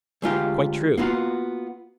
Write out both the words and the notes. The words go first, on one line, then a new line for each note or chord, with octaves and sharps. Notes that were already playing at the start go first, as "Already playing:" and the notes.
Quite true.
D2 G#3 F4 G4
A#3 B3 F4 F#4